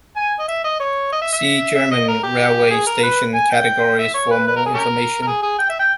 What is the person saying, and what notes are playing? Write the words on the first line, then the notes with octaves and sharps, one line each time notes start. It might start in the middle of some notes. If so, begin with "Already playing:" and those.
See German railway station categories for more information.
G#5
D#5
E5
D#5
C#5
D#5
E5
E5
E5
D#5
A#4
G4
G#4
A#4
B4
G#5
G5
E5
C#5
B4
B4
A#4
G#4
C#4 G4 A#4
A#4
G#4
G#4
G5
E5
G5